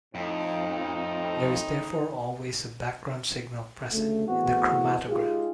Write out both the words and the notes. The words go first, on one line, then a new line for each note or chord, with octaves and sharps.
There is therefore always a background signal present in the chromatogram.
F2 A2 C4 D#4
D2 C#3 A3
E2 A2 B3 C4 F#4
G#3 D#4 F4 G4 G#4